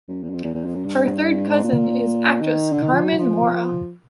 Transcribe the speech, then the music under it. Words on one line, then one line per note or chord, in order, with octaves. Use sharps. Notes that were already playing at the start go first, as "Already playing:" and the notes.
Her third cousin is actress Carmen Maura.
F#2
E2
F#2
F2
E2
E2
F2
F#2
G2
G#2
A#2
D#3
D3
D#3
F3
F#3
F3